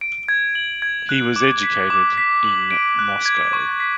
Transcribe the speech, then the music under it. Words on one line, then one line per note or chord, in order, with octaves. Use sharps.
He was educated in Moscow.
D7
G#6
F#7
G#6
F#6
D6
B6
D6
B6
F#7
D7
F#6
G#6
C#6
B6